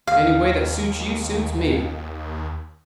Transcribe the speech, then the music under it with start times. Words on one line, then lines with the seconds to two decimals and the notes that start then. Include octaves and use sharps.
Any way that suits you suits me.
0.07 D#2 F5